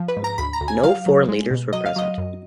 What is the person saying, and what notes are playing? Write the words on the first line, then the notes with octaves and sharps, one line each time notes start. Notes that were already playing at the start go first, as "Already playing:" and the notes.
No foreign leaders were present.
Already playing: F3
B4
G#2
A#5
D2 B5
A#5
D2
G#5
F#3 F5
F#3
G#3
B2
F#3 D#5
F5
F#3 D#5
F#2